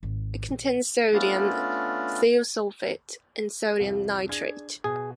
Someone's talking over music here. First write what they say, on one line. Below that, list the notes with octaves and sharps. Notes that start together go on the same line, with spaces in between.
It contains sodium thiosulfate and sodium nitrite.
G#1
A#1
A3 B3 C#4 D4 F4 D5
C2 F2
D4 G#4 G#6
B2 G#4